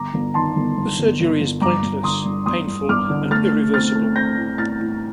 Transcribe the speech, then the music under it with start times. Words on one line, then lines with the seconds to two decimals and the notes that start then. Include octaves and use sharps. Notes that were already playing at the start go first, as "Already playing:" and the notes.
The surgery is pointless, painful and irreversible.
Already playing: G1 A#5 D6
0.14 G1
0.34 D#3 A5 C6
0.56 G1
0.77 G2
0.98 G1
1.20 G1
1.40 G1
1.62 G2 A#5 D6
1.83 G2
2.03 D3 C6 D#6
2.25 G2
2.46 G2 C6 D#6
2.67 G2
2.89 G2 D6 F6
3.10 D3
3.31 A3 F6 A6
3.52 A3
3.74 C4 F6 A6
3.95 A3
4.15 C4 G6 A#6
4.37 A2
4.58 A2 F6 A6
4.79 A2